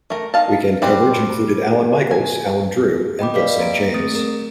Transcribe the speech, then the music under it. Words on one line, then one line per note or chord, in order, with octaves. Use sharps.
Weekend coverage included Allan Michaels, Alan Drew and Bill Saint James.
A3 A#4
D#4 F5 A5
G3 C4 B4 C5
G#5
D#5 G5 B5 D6
B4 C#5 D5 F5 B6
A#3 A#5 D7
A3 C4 G#4 D#6 A6
A#4